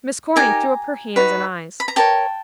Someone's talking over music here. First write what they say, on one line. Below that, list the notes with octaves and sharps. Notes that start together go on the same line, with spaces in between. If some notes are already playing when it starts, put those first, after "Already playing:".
Miss Corny threw up her hands and eyes.
D#4 G4 A#4 G#5 A#5
D#4 F#4 B4
B5
A#5
G4 A#4 C#5 G5 A5